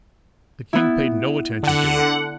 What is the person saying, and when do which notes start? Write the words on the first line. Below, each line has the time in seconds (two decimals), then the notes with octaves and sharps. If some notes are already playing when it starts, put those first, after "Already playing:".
The king paid no attention to it.
0.73 B3 E4
1.63 D3 F#5